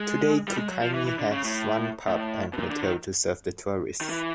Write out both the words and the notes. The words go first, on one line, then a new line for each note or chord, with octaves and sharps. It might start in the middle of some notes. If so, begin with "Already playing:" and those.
Today Kookynie has one pub and hotel to serve the tourists.
Already playing: G#3
G3
G#3
F#3
F3
E3
E3
D3
C#3
A2
A2
B2
A#2
D3
D#3
D#3
E3